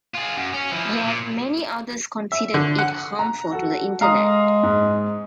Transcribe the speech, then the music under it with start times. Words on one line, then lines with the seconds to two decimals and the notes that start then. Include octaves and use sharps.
Yet many others considered it harmful to the Internet.
0.14 F4 G#4
0.37 F#2
0.54 C#4
0.72 F3 E4
1.04 A#2
2.32 E5
2.54 D3
2.79 F#5
3.19 A#5
3.53 F#4 A4
4.01 G#3 F5 A#5 D#6
4.63 G#2